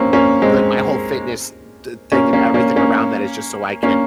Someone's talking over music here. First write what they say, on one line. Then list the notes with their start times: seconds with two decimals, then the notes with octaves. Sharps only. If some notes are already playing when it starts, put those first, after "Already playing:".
like, my whole fitness d thing and everything around that is just so I can
Already playing: A#3 C4 C#4
0.13 A#3 C#4
0.42 G#3 C4
2.12 A#3 C#4
2.33 A#3 C#4
2.54 A#3 C#4
2.76 A#3 C#4
3.83 A#3 C#4